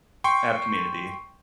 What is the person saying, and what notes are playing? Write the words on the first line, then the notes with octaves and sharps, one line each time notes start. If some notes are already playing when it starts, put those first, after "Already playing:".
I have community.
G5 C6 C#6